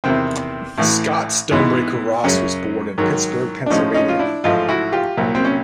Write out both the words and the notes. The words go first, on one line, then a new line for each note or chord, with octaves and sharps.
Scott Stonebreaker Ross was born in Pittsburgh, Pennsylvania.
E2 C3 D#3 C4
A1 A2 E3
G#2 E3 G#3 B3
F#2 C#3 F#3 C#4
G#2 D#3 F#3
D4
A2 F3 G#3 C#4 D#4
C#4 D#4
F4
D4 E4
A1 G#2 F3 A3 D#4 F4
E4 F#4
F4 G4
C2 A#2 F#3
C4
C#4